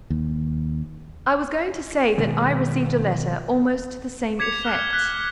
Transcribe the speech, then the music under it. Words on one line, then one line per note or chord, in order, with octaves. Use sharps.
"I was going to say that I received a letter almost to the same effect."
D#2
B2 D#3 G#3
D6 G#6 B6 C#7 F7
D6 F6 F#6 G7
F#6 B6